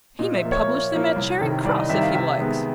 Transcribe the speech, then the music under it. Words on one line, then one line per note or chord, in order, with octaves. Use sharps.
"He may publish them at Charing Cross if he likes."
A#2 D#5
E5
F3 A#3
C#5
A#2
F3 A#3
C2
C3 D#3 G3
C2 D5
D#5
C3 D#3 G3 E5
F5
C3 E5
D#3 G#3 B3